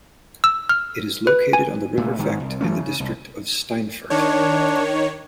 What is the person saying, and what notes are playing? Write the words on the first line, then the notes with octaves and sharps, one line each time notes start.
It is located on the river Vechte in the district of Steinfurt.
E6
F6
B4
G#5
A#2 A3
G#2 D#3
C2
E3 A3 C#4
C#3
C2
D#3 D4 C#5